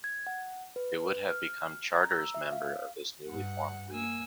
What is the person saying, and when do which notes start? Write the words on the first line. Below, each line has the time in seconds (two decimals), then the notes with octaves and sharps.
They would have become charters member of this newly formed league.
0.04 G#6
0.27 F#5
0.76 B4
0.96 B4
1.30 F6
2.00 A#5
2.12 E6
2.35 E5
2.52 F5
3.28 G2 F#5
3.93 A#3 G#5 E6